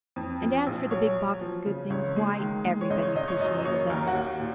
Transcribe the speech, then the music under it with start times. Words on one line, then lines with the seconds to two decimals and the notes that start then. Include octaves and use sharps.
And as for the big box of good things, why, everybody appreciated that.
0.16 F2
0.41 F3
0.67 A#1
0.91 F#3 C#5
1.16 F#3
1.41 F3
1.66 C#3
1.90 C#2 C#5
2.16 G#3
2.40 D#3
2.65 G#3
2.81 C#5
2.90 C#2 D#5
3.02 C#5
3.15 C#2 D#5
3.28 C#5
3.40 F#2 D#5
3.58 D#5
3.65 A#3 C#5
3.90 D#2 A#4
4.07 F#4
4.15 D#2
4.40 A#2